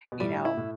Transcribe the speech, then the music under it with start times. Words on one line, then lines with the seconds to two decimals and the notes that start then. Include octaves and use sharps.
you know,
0.12 B2
0.20 A2 G3
0.45 E4
0.57 A2